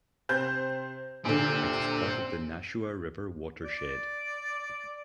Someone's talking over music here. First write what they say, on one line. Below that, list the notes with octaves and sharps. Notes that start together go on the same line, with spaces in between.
It is part of the Nashua River Watershed.
C3 C5 G6
A#2 D3 C4 G4
D5